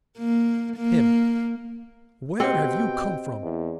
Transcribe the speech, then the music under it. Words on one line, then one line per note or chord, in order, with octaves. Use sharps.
HIM: Where have you come from?
A#3
A#3
B2 C4 G4 D#5 F#5 G5
E2